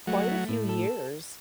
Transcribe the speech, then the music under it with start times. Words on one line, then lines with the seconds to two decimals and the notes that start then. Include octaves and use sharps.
quite a few years,
0.07 F#3 A3
0.28 A3
0.49 A2
0.69 A4